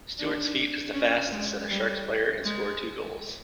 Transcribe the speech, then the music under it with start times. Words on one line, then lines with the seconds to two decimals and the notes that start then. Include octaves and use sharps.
Stuart's feat is the fastest that a Sharks player has scored two goals.
0.19 D4
0.93 C#4
1.31 G#3
1.69 G3
2.44 G#3